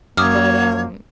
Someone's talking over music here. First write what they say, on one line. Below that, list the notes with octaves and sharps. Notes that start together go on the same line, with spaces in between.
But, um
F#2 A#3 C#5 D6 D#6 F6